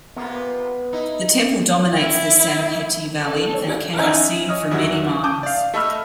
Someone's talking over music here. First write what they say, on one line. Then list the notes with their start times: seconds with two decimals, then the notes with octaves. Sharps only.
The temple dominates the Sanpete Valley, and can be seen from many miles.
0.16 C3 A#3 B3 F4
0.93 D#4 E4
1.96 E4
3.24 A4
3.98 C#4 D#4 E4 G#5 A#5
4.49 C#5 D#5 D#6 F6
4.71 E2 D3 E3 F#3 G3 E4
5.24 A5 D6 D#6 G6
5.43 D5 F5
5.74 A3 A4 D#5 B5 E6 F6